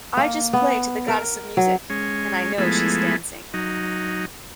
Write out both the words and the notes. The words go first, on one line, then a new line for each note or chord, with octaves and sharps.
I just play to the goddess of music-and I know she's dancing.
A#3
B3
A#4
F#3
G#3 C#4
F3 G#3 A3 B3 E4
F#3 D#4